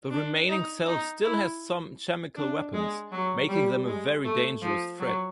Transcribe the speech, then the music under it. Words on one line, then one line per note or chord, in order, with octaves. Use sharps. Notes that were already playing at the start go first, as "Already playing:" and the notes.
The remaining cell still has some chemical weapons, making them a very dangerous threat.
D4
D#4
D#4
E4
D4
G#3
F#3
G3
G#3
A3
F3
F#3